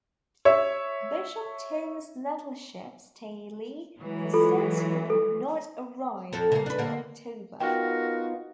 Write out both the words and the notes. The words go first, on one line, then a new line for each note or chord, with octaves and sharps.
Bishop Thomas Nettleship Staley was sent but would not arrive until October.
C#5 E5
E3 F#3 G#3
F4 A4
A4
F2 A4
C#3 A#3
D4 B4
D3 A#3
B3 D#4 F4 F#4 A#4 G5